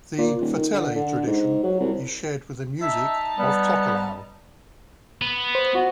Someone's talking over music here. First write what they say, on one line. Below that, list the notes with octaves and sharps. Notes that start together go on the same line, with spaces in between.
The "fatele" tradition is shared with the music of Tokelau.
A#2
D#1
D#3
D3
D3
G#2
F#3
C2
D#4 E5 A5
G3 B3
B3
C5
F#4